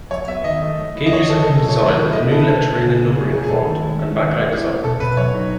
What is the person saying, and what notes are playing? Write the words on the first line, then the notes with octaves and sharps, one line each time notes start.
Gauges have been designed with a new lettering and numbering 'font' and backlight design.
F#3 C#5
B3 E5
D#3 D#5
A3
F#3
E4
D#5
D#3 C#5
D#3 A4
A4
F#3 G#4
A4
F#3
C#5
D#3
E4
E4 D#5
E5
E4 A4
B4
A3 A4
A3
C#3
C#3
C#4 G#4
B2 G#4
G#4
A3 A4
D#3
G#3
C#4
D#3
A3
E4
C#4
B2 A4
B2 B4
F#3 C#5
D#4